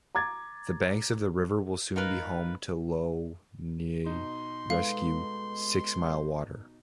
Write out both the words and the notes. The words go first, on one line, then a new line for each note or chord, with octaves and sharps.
The banks of the river will soon be home to Lough Neagh Rescue Sixmilewater.
A#5 D6 G#6 A6
D#4 F4 A#4 B4
B2 D#4 C6
G#3 A4 B4 F5